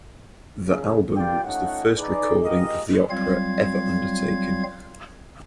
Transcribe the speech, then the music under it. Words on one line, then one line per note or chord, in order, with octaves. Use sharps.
The album was the first recording of the opera ever undertaken.
A#1 C#3
F4 G4 A#4 D5 G5
F3 A3 C#4 D#4 F#5
D#4 G#4 B4 D5
F3 G#3 A#3 G4 A#4 D#5
F#3 G3 C4 F4 F5 G#6